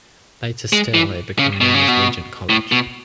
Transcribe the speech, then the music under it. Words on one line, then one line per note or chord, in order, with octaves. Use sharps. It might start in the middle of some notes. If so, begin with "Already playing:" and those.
Later still it became known as Regent College.
G#3
E3
C#3
B2
C#3
B2
A2
B2